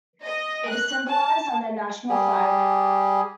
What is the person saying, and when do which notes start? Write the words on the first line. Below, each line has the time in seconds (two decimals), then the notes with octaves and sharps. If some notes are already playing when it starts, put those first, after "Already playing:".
It is symbolised on their national flag.
0.24 D#5
0.69 F#6
1.08 A5
2.09 G3 G#4